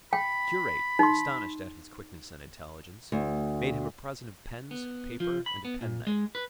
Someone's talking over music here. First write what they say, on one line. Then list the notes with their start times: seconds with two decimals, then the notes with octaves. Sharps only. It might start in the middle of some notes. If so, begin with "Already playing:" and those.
The curate, astonished at his quickness and intelligence, made him a present of pens, paper, and a penknife.
0.13 G5 B5
0.99 D#4 C6
3.12 D2
4.71 B3
5.20 F3
5.46 B5
5.65 B3
5.81 A#2
6.07 G#3
6.35 B4